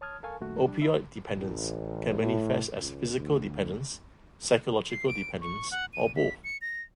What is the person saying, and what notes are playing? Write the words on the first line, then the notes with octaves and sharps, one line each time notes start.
Opioid dependence can manifest as physical dependence, psychological dependence, or both.
C#5 A5 D#6 F6 G#6
A4 A#4 F5 G#5 A5 C#6
F#2 A#2 D#3 A3 F#4
G3 D4
E5 B5
A1
A2
C#2
D2
C7
D7
C#6
F#5
D#7
B6
C#7
A#6